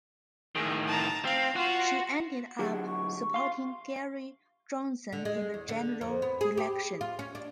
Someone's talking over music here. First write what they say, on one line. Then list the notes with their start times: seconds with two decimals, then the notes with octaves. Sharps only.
She ended up supporting Gary Johnson in the general election.
0.56 A2 D#3 G#4
0.87 A5 A#5
1.25 C4 F5
1.56 F4 F#4 C5
2.59 D3 F#3 G4 G#4
2.86 C#6
3.34 F5 C6
5.13 D3
5.25 G#3
5.54 E2
5.69 D3
6.01 F2
6.22 B3
6.41 G#4
6.57 G4
7.01 F4
7.19 C#4
7.35 D4